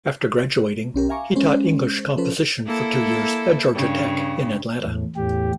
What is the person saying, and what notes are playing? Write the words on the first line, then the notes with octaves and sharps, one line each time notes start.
After graduating, he taught English composition for two years at Georgia Tech in Atlanta.
B1 C#4 G4 A#4
E5 F5 G#5 A#5 C#6 D6
G#3 C#4 G#4 C5
F3 C#4 A4 B4 C5
A#3 E4 A4
G2 C#3
E2 A2
E2 A2 G4